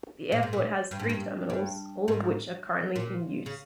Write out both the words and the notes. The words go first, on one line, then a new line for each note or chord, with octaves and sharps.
The airport has three terminals, all of which are currently in use.
A#2
G#2
A#2
G2
G#2
G2
G2
G#2
A#2
C#3